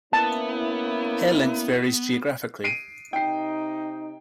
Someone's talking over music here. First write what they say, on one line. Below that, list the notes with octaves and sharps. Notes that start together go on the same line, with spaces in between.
Hair length varies geographically.
A#3 B3 C#4 E4 A5
C7 D7 D#7
C3 D#4 G5 C7